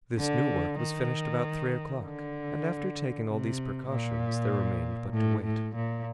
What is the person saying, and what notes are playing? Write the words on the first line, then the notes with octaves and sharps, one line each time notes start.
This new work was finished about three o'clock, and after taking all these precautions there remained but to wait.
D3
D#3
D3
C3
A#2
A2
A2
A#2